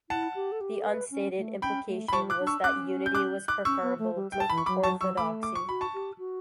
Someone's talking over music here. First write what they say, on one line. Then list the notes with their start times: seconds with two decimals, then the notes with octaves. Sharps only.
The unstated implication was that unity was preferable to orthodoxy.
0.10 E4 F#5 A5
0.35 G4
0.52 A4
0.61 G4
0.81 A4
0.86 B4
1.11 C#4
1.38 A3
1.62 C#4 G5 B5
1.88 A3
2.08 B5
2.13 G3 A5 C#6
2.30 D6 F#6
2.39 D4
2.47 C#6 E6
2.64 C#4 D6 F#6
3.06 G6
3.15 D6 F#6
3.48 D6 F#6
3.65 C#4 C#6 E6
3.82 B3
3.99 A3
4.16 G3
4.32 G3 G5
4.40 A5
4.50 E3 B5
4.58 C#6
4.66 F#3 B5 D6
4.83 F#3 A5 C#6
5.01 F#3 C#6 E6
5.17 A3 B5 D6
5.43 D6
5.55 C#6
5.68 F#4 B5
5.81 A5 C#6
5.94 G4
6.18 F#4